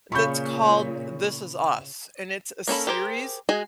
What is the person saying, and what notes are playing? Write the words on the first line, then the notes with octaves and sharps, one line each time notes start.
that's called "This Is Us", and it's a series,
A#2 C#3 C#5 B5 C#6 G6
A#3 C#4 A4 B5
G4 G#4 A#4 C5
G#3 F#4 G#4 D#5 G#5